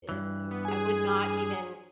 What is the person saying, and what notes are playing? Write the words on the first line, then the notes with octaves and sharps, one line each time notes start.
it's I would not even
G2 E3
B3
G#4 G#5